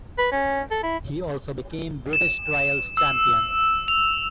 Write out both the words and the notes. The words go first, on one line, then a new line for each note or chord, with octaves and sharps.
He also became British Trials Champion.
B4
C#4
A4
E4
E7
E6
F7